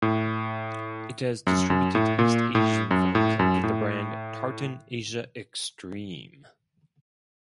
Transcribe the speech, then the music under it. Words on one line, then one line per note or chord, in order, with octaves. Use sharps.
It has distributed East Asian films under the brand "Tartan Asia Extreme".
A2
F#2
F#2
A2
A#2
A2
F#2
A2
F#2
A2